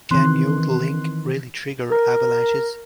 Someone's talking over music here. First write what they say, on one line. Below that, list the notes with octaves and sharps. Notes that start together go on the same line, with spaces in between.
Can yodeling really trigger avalanches?
D#3 E3 C4 C6 F#6
A#4